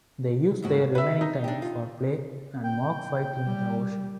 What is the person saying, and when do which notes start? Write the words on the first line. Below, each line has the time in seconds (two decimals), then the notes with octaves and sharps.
They use their remaining time for play and mock fights in the ocean.
0.62 D#2 G#2 F#4
0.95 F#4 B4 E5
1.21 D#4
1.44 D4 G4
1.62 F4
2.63 G5
3.46 G3